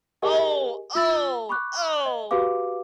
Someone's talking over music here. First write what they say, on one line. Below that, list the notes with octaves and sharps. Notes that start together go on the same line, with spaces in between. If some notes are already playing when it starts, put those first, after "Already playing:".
Oh, oh, oh.
G4 G#4 A#4 D#5 G#5
F4 E6 A6 F#7
B5 C#6 D6 F#6
D#5
F#4 G4 B4 F5 D6